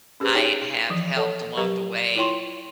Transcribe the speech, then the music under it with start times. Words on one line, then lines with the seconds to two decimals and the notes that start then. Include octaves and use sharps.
I have helped along the way,
0.20 C#4 G4 G#4 B4 C5
0.34 D#4 F#4 G#4 C#5 G5 A5
0.90 E3 F3
1.16 A4 C#5 F#5 A5
1.57 F#3 G4 A#4 B4 D#5 A#5
2.16 E4 F4 C#5 G5 C6 C#6